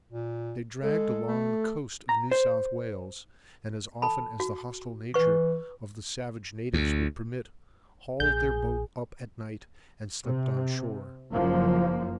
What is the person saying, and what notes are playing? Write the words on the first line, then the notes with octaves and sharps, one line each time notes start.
They dragged along the coast of New South Wales; and as often as the hostile nature of the savage natives would permit, hauled their boat up at night, and slept on shore.
A#2
G#3 A4
A3
A#5
C5
A4 A5 B5
F#4
E3 B4 C#6
D2
A#1 G#4 G6
C3
F#1 F#2 F3 A#3